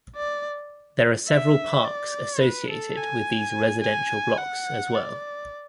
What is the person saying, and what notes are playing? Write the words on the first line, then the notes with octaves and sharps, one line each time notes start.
There are several parks associated with these residential blocks as well.
D5
E5
D5
B4
A4
G#5
G#5
F#5
D5